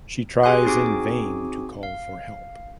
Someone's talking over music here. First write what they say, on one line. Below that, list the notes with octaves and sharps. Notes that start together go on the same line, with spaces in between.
She tries in vain to call for help.
G4 G#4 G#5 C6 F#6
C4 D#4 F#4 G#4 G#5 D6
F5